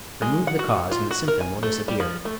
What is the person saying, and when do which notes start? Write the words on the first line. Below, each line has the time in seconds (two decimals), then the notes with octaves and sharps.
Remove the cause and the symptom will disappear.
0.22 G#3
0.47 F#5
0.59 F#4
0.91 F4
1.11 F#4
1.28 A#4
1.41 G#5
1.63 A3
1.88 G3
2.00 F3
2.25 A3